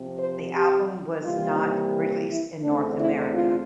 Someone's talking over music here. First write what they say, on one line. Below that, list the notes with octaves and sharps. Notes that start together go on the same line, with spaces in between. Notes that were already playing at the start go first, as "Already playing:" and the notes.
The album was not released in North America.
Already playing: C3 F3 C4
C5
G4
C3 E3 G3 A#3 F4
E4
E2 D3 A3 C4 D4
E4
F4